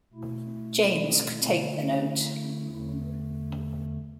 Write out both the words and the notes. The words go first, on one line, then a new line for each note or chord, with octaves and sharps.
James could take the note.
B2 A3 E4
D3 A3 E4
E2 D3 A3